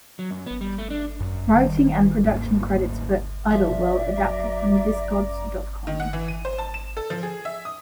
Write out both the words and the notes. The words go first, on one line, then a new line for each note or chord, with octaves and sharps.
Writing and production credits for "Idlewild" adapted from Discogs dot com.
F#3
F#2
B3
G3
A3
D4
F#2
D#3 G3
D2 G#2 A#3
F3 D5 E5
F#2 A#5 D6
D#3
F#5
E3
D#7
C5
A5
E7
A4
F3
G#4
E5
D#6